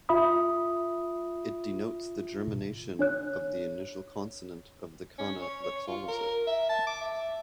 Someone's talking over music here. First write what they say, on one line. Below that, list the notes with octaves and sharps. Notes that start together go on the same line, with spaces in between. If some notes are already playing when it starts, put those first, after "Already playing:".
It denotes the gemination of the initial consonant of the kana that follows it.
F4 E5 B5 D#6
D4 C#5 F#6
C#4
C#5
C#5
F4
A#4
E5
A5
D6
E5